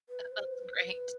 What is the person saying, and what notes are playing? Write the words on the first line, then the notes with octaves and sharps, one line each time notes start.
That's great.
B4
C5
B4
B4